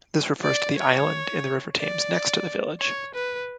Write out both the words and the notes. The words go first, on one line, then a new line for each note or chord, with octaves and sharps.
This refers to the island in the River Thames next to the village.
D5
C#5
D5
C#5
B4